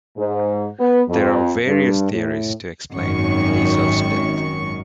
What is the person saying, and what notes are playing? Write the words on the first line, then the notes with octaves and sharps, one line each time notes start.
There are various theories to explain Diesel's death.
G#2
B3
F2
G2
A2
G#1 F#2 D#3 C#6